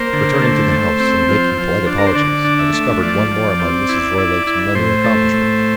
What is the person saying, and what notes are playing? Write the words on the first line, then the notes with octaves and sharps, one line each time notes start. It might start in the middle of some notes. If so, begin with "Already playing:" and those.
Returning to the house, and making polite apologies, I discovered one more among Mrs. Roylake's many accomplishments.
Already playing: A#3 C5
D3
A3
A3
C4
F3
F3
D4
A#4
C5
D3 D5
D4
E5
A3
F3 D5
F3
C4
E4
E4
E4
A2 C5
A3
A2